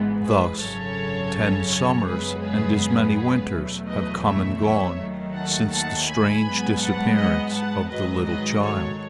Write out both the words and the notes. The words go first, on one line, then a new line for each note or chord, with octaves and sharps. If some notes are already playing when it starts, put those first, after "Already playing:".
Thus ten summers and as many winters have come and gone since the strange disappearance of the little child.
Already playing: G#1 G#2 E3 G#3 B3
G#4 B4
G#1 F#2 C#3 F#3 A4 C#5
A4 C#5
F#2 C#3 G#3 B3 G#4 B4
G#4 B4
G#4 B4
E2 B2 F#3 A3
B4 D#5
C#5 E5
C#5 E5
D#2 D#3 F#3 A3
F#5 A5
F#5 A5
G#5 B5
G#2 F#3 B3
F#5 A5
D#5 F#5
F#5 A5
G#2 D#3 F#3 B4 D#5
B4 D#5
A4 C#5